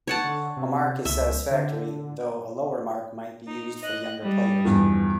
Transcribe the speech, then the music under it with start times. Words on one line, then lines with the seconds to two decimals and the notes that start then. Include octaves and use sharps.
A mark is satisfactory, though a lower mark might be used for younger players.
0.07 C#5 F#5 A5
0.24 D3
0.57 C3
1.05 C#2 E5
1.51 D3
3.47 D#4
3.82 D#5 F#6
4.21 G3 D#5
4.64 E2 G2 F3